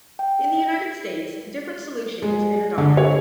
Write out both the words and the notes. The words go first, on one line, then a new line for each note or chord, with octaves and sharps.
In the United States, a different solution has been adopted.
G5
G#3
D3
C#5